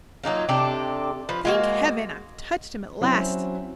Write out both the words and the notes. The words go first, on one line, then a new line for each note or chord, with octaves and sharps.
Thank Heaven, I've touched him at last!
F#3 A#3 D#4 F4
C3 D4 G4 A4
F3 B4
G#3 A#3 F#4
F#3 C4 C#4 E4 F#4